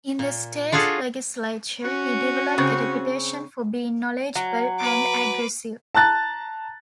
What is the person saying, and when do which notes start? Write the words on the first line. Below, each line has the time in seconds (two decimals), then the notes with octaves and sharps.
In the state legislature he developed a reputation for being knowledgeable and aggressive.
0.19 A#2
0.72 D4 F4 F#4 G#4 A4
1.84 C#4 F#4
2.58 C#3 C4 C#6
4.35 F#3
4.80 B4 D6
5.95 A5 A#5 F#6 A6